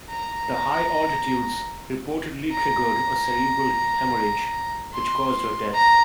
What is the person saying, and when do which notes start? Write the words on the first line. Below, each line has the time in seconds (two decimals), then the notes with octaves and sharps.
The high altitudes reportedly triggered a cerebral hemorrhage, which caused her death.
0.10 A#5
2.51 A#5
4.93 C6
5.73 A#5